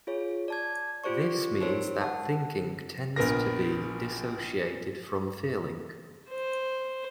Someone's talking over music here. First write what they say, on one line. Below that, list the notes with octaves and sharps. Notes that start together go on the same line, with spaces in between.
This means that thinking tends to be dissociated from feeling.
F4 G#4 C#5
D5 A5 G#6
F4 G4 C5 D5 C#6
D#4 G4 A#4 C5 C#5
F#5 A5
A#1 B3 A#4 A#6
C5